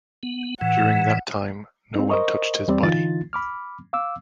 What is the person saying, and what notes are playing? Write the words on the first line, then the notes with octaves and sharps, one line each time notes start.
During that time, no one touched his body.
B3
A2 E3 F#5
C4 D#4
A#4 C5 D#5 C#6
E2 G3 C4 D5
D3 E3 D#4 F4 A6
B5 D6 F6
F5 D6 E6